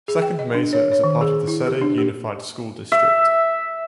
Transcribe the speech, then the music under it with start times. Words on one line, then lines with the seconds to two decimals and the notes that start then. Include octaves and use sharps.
Second Mesa is a part of the Cedar Unified School District.
0.08 G#4
0.22 G5
0.39 D#5
0.54 D4
0.73 C#5
0.92 C#5
1.04 D#3
1.21 G#4
1.47 E4
1.66 G4
1.81 D4
1.98 G4
2.92 E5